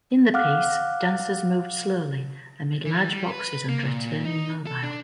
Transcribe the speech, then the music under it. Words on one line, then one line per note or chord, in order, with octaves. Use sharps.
In the piece, dancers moved slowly amid large boxes under a turning mobile.
F5 F#5 D6 F6 F#6
E3
G3
B4
A#3
A#2
D#4
A4
D4